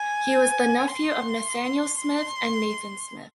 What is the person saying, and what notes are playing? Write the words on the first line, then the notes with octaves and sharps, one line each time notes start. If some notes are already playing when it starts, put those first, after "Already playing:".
He was the nephew of Nathaniel Smith and Nathan Smith.
Already playing: G#5
C6
C6